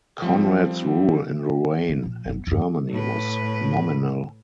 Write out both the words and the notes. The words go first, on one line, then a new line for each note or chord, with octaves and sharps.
Conrad's rule in Lorraine and Germany was nominal.
F3 G3 C4
D2 C#3
A#2 F3
F#1 B3
E2 G2
A2 B4